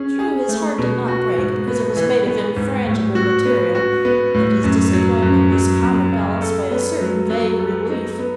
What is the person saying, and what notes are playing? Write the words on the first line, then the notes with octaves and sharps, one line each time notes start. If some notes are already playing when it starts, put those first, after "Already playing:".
True, his heart did not break, because it was made of infrangible material, and his disappointment was counter-balanced by a certain vague relief.
Already playing: C#4 G#4
G#4
A3
B2
F#4
G#2
B3
E3
B3
G#2
A2
F#4
B3
F#4
B3
A2
F#2
F#3
F#2
F#3
F#2
C#3
A4
B3
F#3
F#3
A4
D#4
B3